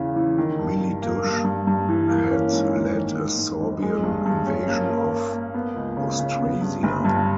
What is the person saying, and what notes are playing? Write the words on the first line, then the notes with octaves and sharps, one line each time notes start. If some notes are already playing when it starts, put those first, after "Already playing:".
Miliduch had led a Sorbian invasion of Austrasia.
Already playing: E2 C#3 E3
E3
D#3
G2
G2
A#3
G2
G2
G2
E3
A#3
C#4
G#2
A#3
D#3
G#2
G#2
G#1
G#3
G2
G2
C#4
A#3
A#3
A#3
A#3
B3
C#2
C#3
C#3
B3
G2
G1
G2